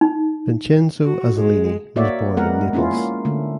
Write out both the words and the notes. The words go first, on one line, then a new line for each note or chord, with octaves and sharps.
Vincenzo Azzolini was born in Naples.
D#4
F#4
G#3
A#3 F#4 C#5 D5 E5
G#3 B3 A#4 F#5
A#3 C#4 E4 F4
A#3
D3 A3